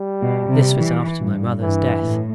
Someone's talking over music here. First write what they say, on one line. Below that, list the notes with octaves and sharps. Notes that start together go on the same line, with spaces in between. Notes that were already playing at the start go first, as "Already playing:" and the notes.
This was after my mother's death.
Already playing: G3
B2
C3
E3
G2
G2 E3
A2